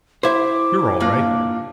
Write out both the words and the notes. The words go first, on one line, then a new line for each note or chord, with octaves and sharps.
You're all right!
E4 G4 C5 E5 D6
A#3 D4 F4